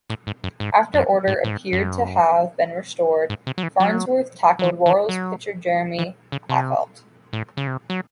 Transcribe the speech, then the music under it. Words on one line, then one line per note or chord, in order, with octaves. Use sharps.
After order appeared to have been restored, Farnsworth tackled Royals pitcher Jeremy Affeldt.
A2
G#2
F#2
G#2
F#2
G#2
A2
G#2
F#2
G#2
C3
F#3
E3
F#3
F#3
E3
E3
F#3
E3
C#3
C3
A2
C#3
C3
F#3